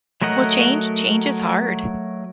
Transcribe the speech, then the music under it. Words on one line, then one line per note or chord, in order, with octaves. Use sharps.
Well, change change is hard.
F#3 A3 A#4 D#5 F#5